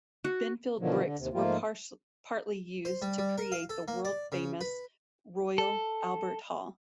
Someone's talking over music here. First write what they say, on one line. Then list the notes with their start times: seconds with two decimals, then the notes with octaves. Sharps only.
Binfield bricks were partly used to create the world-famous Royal Albert Hall.
0.24 F#4
0.79 B2 D3 D#3 F3 F#3
1.03 D3
1.18 D#2 C3
1.33 G#2 F3 A3 A#3 F4
2.85 C5
3.02 G3
3.18 G3
3.38 A#4
3.52 F5
3.69 A4
3.88 A#3
4.05 D5
4.32 C#3
4.61 B4
5.58 A4